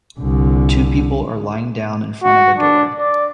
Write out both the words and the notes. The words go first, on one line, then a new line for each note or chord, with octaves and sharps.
Two people are lying down in front of a door.
C2 D3
F#4
D4
D5